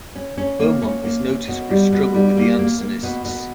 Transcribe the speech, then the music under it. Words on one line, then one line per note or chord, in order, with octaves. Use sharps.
Beaumont is noted for his struggle with the Jansenists.
C#4
C#4
A#3
C#4
A#3
C#4
B2
G3
B2
G3
A#3
A#3
A#3
B2
B2